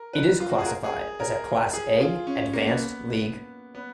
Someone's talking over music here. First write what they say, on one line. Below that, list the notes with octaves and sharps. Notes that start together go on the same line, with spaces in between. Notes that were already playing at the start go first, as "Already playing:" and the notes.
It is classified as a Class A-Advanced league.
Already playing: A#4
B4
F4
F#4
G#4
A#4
G#4
A#4
G#4
F4
C#4
A#3
B3
B3